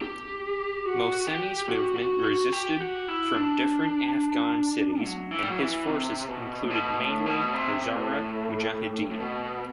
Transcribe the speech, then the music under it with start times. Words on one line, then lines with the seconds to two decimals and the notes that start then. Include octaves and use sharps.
Mohseni's movement resisted from different Afghan cities and his forces included mainly Hazara Mujahideen.
0.02 G4
0.86 F#4
1.27 G4
1.69 F#4
1.97 F#4
2.25 F#4
2.53 G4
2.80 F#4
3.08 E4
3.36 D4
5.03 F#3
5.31 E3
5.42 G3
5.50 F#3
5.59 E3
5.87 C3
6.28 B2
6.63 A2
6.70 B2
6.98 A2
7.26 B2
7.53 C3
7.95 A2
9.11 A2
9.20 B2